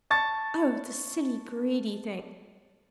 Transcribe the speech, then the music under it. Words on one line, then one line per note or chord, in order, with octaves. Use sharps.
Oh, the silly, greedy thing!
A5 C#6 A6